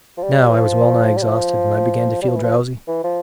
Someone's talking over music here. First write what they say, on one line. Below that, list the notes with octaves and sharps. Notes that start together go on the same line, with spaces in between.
Now I was well-nigh exhausted, and began to feel drowsy.
F3
G3
E3
F3
G3
F3
G3
F3
E3
F3
E3
F3